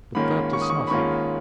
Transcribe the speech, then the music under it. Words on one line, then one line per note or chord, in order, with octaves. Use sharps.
But that is nothing.
G#2 D#3 A#3 C#4 F4 B5
C#6
D#6
C#6
B5
G#2 D#3 A#3 C#4 F4 C#6